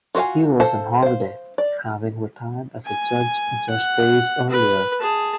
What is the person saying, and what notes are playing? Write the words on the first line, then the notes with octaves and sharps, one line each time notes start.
He was on holiday, having retired as a judge just days earlier.
F4 F#4 B4 F5 G#5
A4 C5 F5 A5
C5 F5
D5
G#5
F#5
B4
G#4 A5